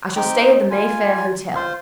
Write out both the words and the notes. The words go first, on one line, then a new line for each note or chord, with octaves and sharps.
I shall stay at the Mayfair Hotel.
C4 D#4 G4 G5
F4 G#5
F4 C5 C6